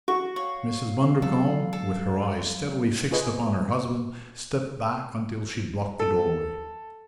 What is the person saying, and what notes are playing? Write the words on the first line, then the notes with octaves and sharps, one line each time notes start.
Mrs. Bundercombe, with her eyes steadily fixed upon her husband, stepped back until she blocked the doorway.
F#4 C#6
C#5 F5
F#3 G#3 A4
A4
F4 G#4 B4 D#5
A4